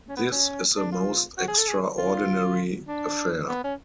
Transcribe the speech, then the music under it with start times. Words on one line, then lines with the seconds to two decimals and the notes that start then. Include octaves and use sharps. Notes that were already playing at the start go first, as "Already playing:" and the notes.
This is a most extraordinary affair.
0.09 C#4
0.17 B3
0.31 C#4
0.76 D4
0.92 F4
1.38 F#4
1.48 G#4
1.57 A4
1.67 G#4
1.98 F4
2.88 D4
3.48 B3
3.64 C#4